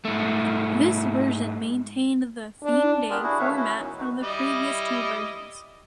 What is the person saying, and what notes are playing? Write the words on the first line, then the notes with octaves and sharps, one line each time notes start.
This version maintained the "theme day" format from the previous two versions.
G#2 A3
D4
B3 D4 F4 G4 G#4 A#4
D4 E4 F#4 G#4
D#3 A3 B4 C#5 E5 F5
C#4 E4 F#4
A2 D#3 F#3 B3 D#4
D#3 D#4 F#4 B4
G3 E4 D#5